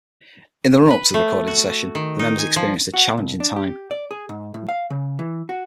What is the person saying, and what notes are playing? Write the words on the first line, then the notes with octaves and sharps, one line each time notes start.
In the run-up to the recording session, the members experienced a challenging time.
B4
A3
F#4
D#3
D#4
G#5
F3
F#4
C2
D4
G4
D5
G#4
G#2
A2
F5
C#3
E3
F#4